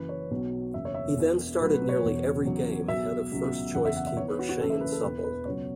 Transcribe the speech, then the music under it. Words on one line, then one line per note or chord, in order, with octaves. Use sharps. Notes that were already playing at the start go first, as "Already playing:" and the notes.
He then started nearly every game ahead of first choice keeper Shane Supple.
Already playing: F#1 F#2 E3 B4
C#5
B1 B2 F#3
F#1 E2 B2 E5
C#5
E5
E1 E2 E3
B1 A2 F#3 B4
B4
C#5
E1 E2 B2
E2 C#3 F#3
B1 B2 F#3 E5
C#2 B2 F#3
F#1 E2 C#3 F#5
E5
F#5
E5
E2 E3 C#5
B4
F#4
F#4
F#1 F#2 C#3 E3 A4
E5
B4
A4
E1 E2 E3 B4
B4
C#2 B2 F#3 C#5